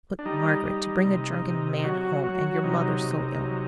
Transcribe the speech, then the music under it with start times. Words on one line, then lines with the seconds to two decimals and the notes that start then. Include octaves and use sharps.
'But, Margaret, to bring a drunken man home--and your mother so ill!'
0.19 D4
0.25 G3 D#4
0.66 G3
1.05 C3
1.45 C3
1.79 D#4
1.84 F#3 F#4
2.24 F#3 F#4
2.64 C3 D#4
3.03 C3
3.43 F#3